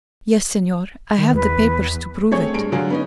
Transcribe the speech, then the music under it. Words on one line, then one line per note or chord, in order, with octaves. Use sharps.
"Yes, Senor; I have the papers to prove it."
D#3
E2 B4
A3 C4 G#4 C#5
G2 G#3 D7
D3 F#3 G#3 F4 G#4
B3 C#4 D#4